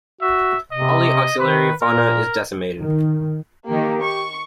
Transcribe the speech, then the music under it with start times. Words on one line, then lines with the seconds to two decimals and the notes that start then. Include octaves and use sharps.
All the auxiliary fauna is decimated.
0.21 F#4 E5
0.72 C3 D#5
1.39 D#3 B4
1.82 A#2 A#4
2.78 D#3
3.67 D#3 A#3 G4
4.02 C#6